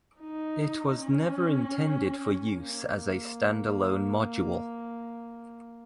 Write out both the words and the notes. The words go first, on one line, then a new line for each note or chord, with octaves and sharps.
It was never intended for use as a stand alone module.
D#4
C#4
A#3